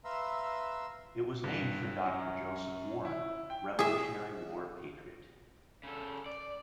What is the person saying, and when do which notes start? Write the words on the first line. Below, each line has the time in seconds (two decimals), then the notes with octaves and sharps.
It was named for Doctor Joseph Warren, Revolutionary War patriot.
0.05 B4 E5 F5 A#5 C6 E6
1.44 G2
2.06 F#2
3.05 E4
3.50 G5
3.79 G#4 E5
5.83 C#3 A4
6.26 D5